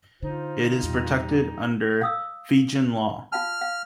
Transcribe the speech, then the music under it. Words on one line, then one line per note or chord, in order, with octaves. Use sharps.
It is protected under Fijian law.
D3 D#4 F4 C5
E2 A#2 G3
F5 D#6 E6
F4 F5 A5 F6
F5